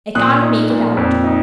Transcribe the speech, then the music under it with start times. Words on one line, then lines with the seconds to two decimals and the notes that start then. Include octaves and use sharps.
I can't make it out.
0.15 A#2 D#6 F#6
0.43 D#4
0.70 A#2
0.97 F2
1.24 D#4